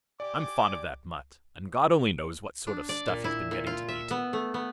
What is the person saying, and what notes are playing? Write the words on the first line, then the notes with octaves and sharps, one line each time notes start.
I'm fond of that mutt, and God only knows what sort of stuff he's been getting to eat.
G4 D5 G#5 D6
D4
D5
A#2
E4
A#2
F4
E5
B3
A3
B3